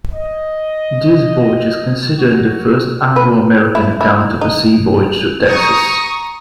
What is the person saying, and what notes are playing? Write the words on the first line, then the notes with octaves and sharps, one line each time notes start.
This voyage is considered the first Anglo-American account of a sea voyage to Texas.
D#5
F#4
B4
E4
E4
D#4
A#5 C#6 D#6